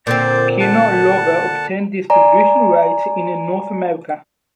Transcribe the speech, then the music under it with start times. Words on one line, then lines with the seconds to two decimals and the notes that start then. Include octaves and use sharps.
Kino Lorber obtained distribution rights in North America.
0.07 A#2 D3 C4 C5 D5
0.60 F#5 A5
2.10 D5 G#5 A#5